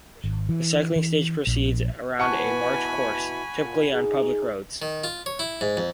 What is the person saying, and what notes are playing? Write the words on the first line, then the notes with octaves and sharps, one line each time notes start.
The cycling stage proceeds around a marked course, typically on public roads.
G#1
E3
E3
A#1
B2 E3 F#5 G#5 A5 B5 C#6
A#2
D#4 G#4
D#3
F4
C#5
E4
G#2
F2